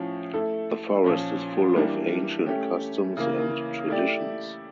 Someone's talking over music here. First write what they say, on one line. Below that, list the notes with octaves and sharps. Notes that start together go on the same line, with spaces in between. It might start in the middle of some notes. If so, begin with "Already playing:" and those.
The Forest is full of ancient customs and traditions.
Already playing: A2 F3 C#4
A3 E4 A4
A#2 F3 C#4
E3 G3 A#3 D4
A3 C#4 G4
C#3 E3 A#3
A3 E4 G4 D5